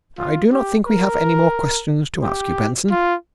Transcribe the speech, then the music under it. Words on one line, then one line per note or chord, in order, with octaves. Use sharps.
"I do not think we have any more questions to ask you, Benson."
F4
G4
A#4
G4
F4